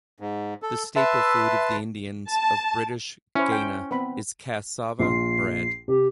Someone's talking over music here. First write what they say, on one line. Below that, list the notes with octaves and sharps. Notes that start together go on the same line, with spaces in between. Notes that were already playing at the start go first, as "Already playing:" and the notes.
The staple food of the Indians of British Guiana is cassava bread.
G#2
A4
B4 E5 A5 C6
A5
C#4 E4 C5
G5
B3 C4 B5
A#1 F4 C6 C7
C3 G4